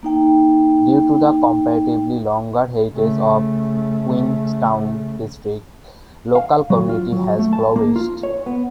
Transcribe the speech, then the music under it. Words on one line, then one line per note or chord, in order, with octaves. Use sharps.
Due to the comparatively longer heritage of Queenstown district, local community has flourished.
A#3 D#4 G5
C#3 A3
F5
F#3
F4
F#3
A3
A5
A#3
F4
C#5
B3